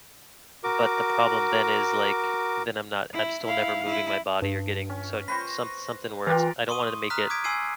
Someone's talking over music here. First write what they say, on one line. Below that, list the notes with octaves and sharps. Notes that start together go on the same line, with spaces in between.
but the problem then is, like, then I'm not I'm still never moving my body or getting so some something where it's I don't wanna make it,
F#4 A#4 D6
E4
E4 F5
E4
G2
C#4
B4 C5 C#6 A#6
E3 F4 G4 A#4
C6 C#6 D#6 D#7
A#5 D#6 F6 F#6 B6
D6 D#6 G#6 B6 D7
G#5 C6 E6 G#6 C7 D#7